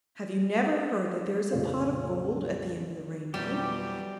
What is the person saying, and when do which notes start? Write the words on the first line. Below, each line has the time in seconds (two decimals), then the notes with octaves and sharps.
"Have you never heard that there is a pot of gold at the end of the rainbow?..."
1.52 A#1 F2 C#3 A3 C#5 F5
3.34 F2 B2 E3 F#3 G3 G4